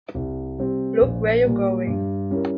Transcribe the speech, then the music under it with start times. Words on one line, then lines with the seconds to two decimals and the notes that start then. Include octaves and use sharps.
Look where you're going!
0.14 C2
0.58 C3 G3 C4
1.01 A#1
1.44 A#2 G3 A#3
1.87 G2
2.30 G3 C#4 E4 A#4